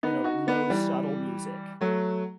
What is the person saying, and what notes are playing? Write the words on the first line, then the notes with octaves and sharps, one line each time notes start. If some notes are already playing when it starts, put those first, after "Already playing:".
you know, low subtle music.
B3 D#4
D#4 F#4
B3 D#4
E3 G3
F#3 A3